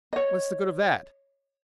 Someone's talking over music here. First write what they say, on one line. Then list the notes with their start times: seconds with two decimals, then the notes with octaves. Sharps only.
What is the good of that?
0.13 C#5 D#5